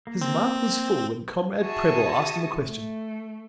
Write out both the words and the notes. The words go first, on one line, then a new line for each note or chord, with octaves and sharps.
His mouth was full when Comrade Prebble asked him a question.
A#3
C4
F#4 G#4 E5 A5 C#6 D#6
A3